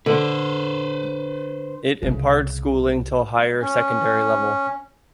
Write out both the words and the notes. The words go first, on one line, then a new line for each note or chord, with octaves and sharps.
It imparts schooling till Higher Secondary level.
D3 B4 C5
C2 C#3
C#4